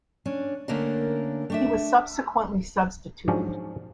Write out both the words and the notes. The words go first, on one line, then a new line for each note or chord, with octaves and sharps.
He was subsequently substituted.
C#4 D4
D3 A3 A#3 C#4 D4 A#4
A3 D4 E5
G#2 F3 F#3 C#4 D4